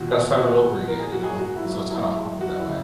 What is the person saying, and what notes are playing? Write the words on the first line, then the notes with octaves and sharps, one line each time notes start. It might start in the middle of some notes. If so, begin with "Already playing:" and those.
gotta start all over again, you know, and so, it's, kinda, hard with that way,
Already playing: A#2 D#3 F#4
B3
A#2 F#4
G#3
E4 A#4
G#4
A#3 F#4
G#4
G#2 F#4
E4
F#3
E4
F#2 E4
G#3
F#2 F#4
E4
C#3